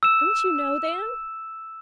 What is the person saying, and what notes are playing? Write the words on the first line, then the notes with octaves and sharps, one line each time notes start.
Don't you know them?'
E6 E7